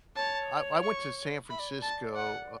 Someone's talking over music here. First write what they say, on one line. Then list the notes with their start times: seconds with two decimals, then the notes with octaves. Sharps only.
I I went to San Francisco,
0.16 C#5 A5
0.84 C#6
1.50 E5 B5
1.59 D5
1.69 C#5
1.79 D5 A5
2.16 F#5